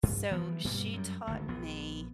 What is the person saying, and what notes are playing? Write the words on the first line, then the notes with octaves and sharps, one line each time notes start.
so she taught me
G2
E3 F3 G3 B3
G2 B2 G3 A#3
F#2 G3
G#1 D2
A#1 B3